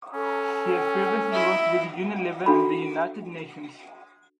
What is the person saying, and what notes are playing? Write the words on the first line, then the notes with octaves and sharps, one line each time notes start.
She has previously worked with Unilever and the United Nations.
C#4 A4
E4 D#5 E5
D4 F#4 A4 B5